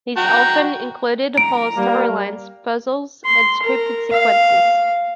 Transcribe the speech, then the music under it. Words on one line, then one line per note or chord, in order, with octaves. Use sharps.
These often included whole story-lines, puzzles, and scripted sequences.
F#4 G5 A#5
A#5 D7
G3 A#3
C6
A#4
F5